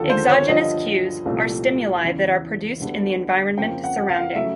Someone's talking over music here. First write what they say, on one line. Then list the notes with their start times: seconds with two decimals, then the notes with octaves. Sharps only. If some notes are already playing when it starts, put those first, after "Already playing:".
Exogenous cues are stimuli that are produced in the environment surrounding.
Already playing: D#2 D3 F3 A#3 A4
0.10 C5
0.29 C#5
0.48 G1 G2 D3 F3 D#5
1.26 C2 A#2 F3 A3
2.03 E2 C#3 E3
2.80 D2 D3 G3 B3
3.58 F2 C#3 F3 A#3 G5
3.84 F#5
4.09 F5
4.35 C#3 F#3 A3 E5